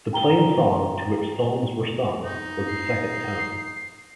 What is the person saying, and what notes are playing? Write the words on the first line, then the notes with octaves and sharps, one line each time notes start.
The plainsong to which psalms were sung was the second tone.
G5 A#5 G7
D#4
C7